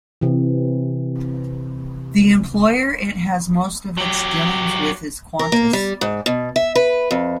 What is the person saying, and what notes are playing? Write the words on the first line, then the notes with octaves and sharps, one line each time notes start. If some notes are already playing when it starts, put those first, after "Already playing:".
The employer it has most of its dealings with is Qantas.
C3 E3
F#3 G4
A#4
A#3
G3
G#2
B2
E5
B4
F2